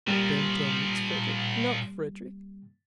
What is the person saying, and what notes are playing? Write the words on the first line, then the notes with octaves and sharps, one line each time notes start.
Don't tell me it is Frederick--not Frederick.
A#2 F3 G3 A#3